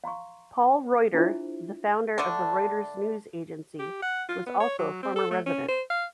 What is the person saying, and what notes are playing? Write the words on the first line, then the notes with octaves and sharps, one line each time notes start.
Paul Reuter, the founder of the Reuters news agency, was also a former resident.
F5 A#5 C6 C#6
D4 E4 F4 G#4 C5 E5
D3 A3 D4
G4
F#5
F4
B3
C#5
F#3
C4
A4
A3
C#4
C5
F5